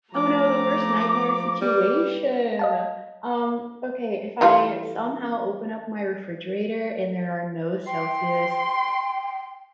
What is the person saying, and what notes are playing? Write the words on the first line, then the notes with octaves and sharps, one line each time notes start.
Oh, no, the worst nightmare situation. Um, okay, if I somehow open up my refrigerator and there are no Celsius
F3 A3 A#5 D6
G3 B4
D#5 F5 A5
E3 G3 F4
G5 C6